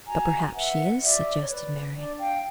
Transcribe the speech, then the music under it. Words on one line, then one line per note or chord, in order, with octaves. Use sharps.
"But perhaps she is," suggested Mary.
F#4 G#5 A#5
B4 E5 F#5
F#4 D5 E5
C#5
B4 D5
D4 D5
F5 G5